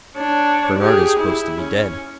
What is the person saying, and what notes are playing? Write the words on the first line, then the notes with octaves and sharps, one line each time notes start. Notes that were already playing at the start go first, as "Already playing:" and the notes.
"Bernard is supposed to be dead."
D4 C#5
G4 G#4
E4
C#4